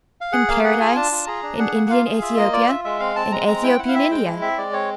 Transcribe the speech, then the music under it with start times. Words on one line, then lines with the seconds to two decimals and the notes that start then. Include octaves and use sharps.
In Paradise--in Indian Aethiopia--in Aethiopian India.
0.21 F5
0.32 G#4 F#5
0.48 A#3 F5
0.64 G#4 F#5
0.80 F4 G#5
0.95 D4 A5
1.11 F4
1.27 G#4 A#5
1.43 D4
1.59 G#4 F#5
1.74 A#3
1.90 F4 F5
2.06 G#4
2.21 F4 E5
2.37 A#3 D#5
2.53 F4 D5
2.69 F4 E5
2.84 G#3 E5
3.00 C4 F5
3.16 C4 A5
3.32 G#3 A#5
3.47 C4 A#5
3.63 E4 G5
3.79 E4 F#5
3.88 F5
3.94 C4 E5
4.11 G#3 G5
4.26 E4
4.41 C4 E5
4.58 G#3 D5
4.73 C4 C#5